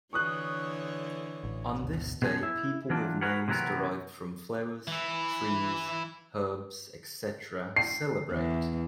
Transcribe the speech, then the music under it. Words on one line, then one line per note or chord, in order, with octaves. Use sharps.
On this day people with names derived from flowers, trees, herbs, etc., celebrate.
D3 E3 C#5 C#6 D#6 F#6
A1
G#1 D2 B2
B2 F3 G#4
E4
E3 F#3 D4 F4
F#4 G#4 A#4 B4 F#5
C3 E3 F#3 B3 A#4
E3 E4
C7
E2